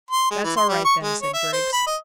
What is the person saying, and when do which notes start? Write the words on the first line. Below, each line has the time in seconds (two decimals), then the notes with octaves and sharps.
"That's all right, then," said Griggs.
0.11 C6
0.31 G#3
0.44 E3
0.57 C6
0.69 G3
0.85 C#6
1.03 G#3
1.22 C#5
1.34 E5
1.53 C5
1.73 B5
1.87 D#5